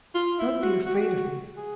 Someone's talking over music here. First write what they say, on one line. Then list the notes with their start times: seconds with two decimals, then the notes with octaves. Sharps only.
Don't be afraid of me.
0.15 F4
0.39 E4
0.62 F#4
0.86 F#4
0.95 G4
1.01 F#4
1.57 G#4